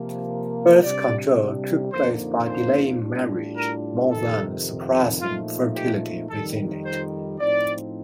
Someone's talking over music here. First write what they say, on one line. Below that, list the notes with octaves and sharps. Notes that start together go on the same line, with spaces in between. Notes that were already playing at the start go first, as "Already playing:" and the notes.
Birth control took place by delaying marriage more than suppressing fertility within it.
Already playing: C3 F3 A#3
C3 G3 D4 D5
F2 D3 F3 A#3 D#4 C5
C5
A2 G3 D4 F4
A#4
F2 C3 D#3 A4
A#2 F3 A3 D#4 F4
G4
F2 D#3 G3 A4
C5
A2 F3 C4 D#4 D5